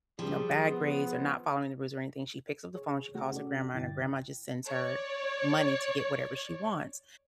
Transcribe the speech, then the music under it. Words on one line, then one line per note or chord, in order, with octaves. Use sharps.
you know, bad grades or not following the rules or anything, she picks up the phone, she calls her grandma, and her grandma just sends her money to get whatever she wants.
F3 G3 G#4
B3
G#4 C#5
C3 A3 F#4 G#4
C#4 F#4 A4 D5
G2 D3 E4 D5 G5 A6
C#5 D5